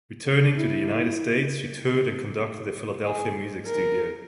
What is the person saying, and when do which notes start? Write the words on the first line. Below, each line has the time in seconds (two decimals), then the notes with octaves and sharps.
Returning to the United States, she toured and conducted a Philadelphia music studio.
0.56 E4
3.04 G#4
3.66 A#4